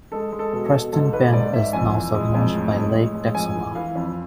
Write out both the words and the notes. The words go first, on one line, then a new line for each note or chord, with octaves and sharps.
Preston Bend is now submerged by Lake Texoma.
G#3 A4
G#3
A4
B2
A4
B2
G#2 A4
G#2 B4
G#2 D5
G#2 E5
F2 G#5
E3
G#3
F2
A2
G#3
A2
G#3
F2 G#5
E3
E3 F5
F2